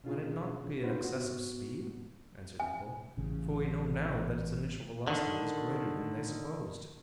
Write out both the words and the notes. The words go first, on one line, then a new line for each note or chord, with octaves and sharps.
"Might it not be an excess of speed?" answered Nicholl; "for we know now that its initial velocity was greater than they supposed."
B2 C#4 D4 F4 G#4
C#4 D#4 F4 F#4 B4 C5
G#2 B3 F#4
G#5
A1 C#3
D3 D#3